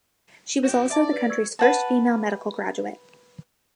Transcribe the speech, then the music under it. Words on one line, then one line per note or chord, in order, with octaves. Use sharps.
She was also the country's first female medical graduate.
F#4 G5
D5 E5 A5 D6
B4
C#6 E6 G#6
B4 F#5 A5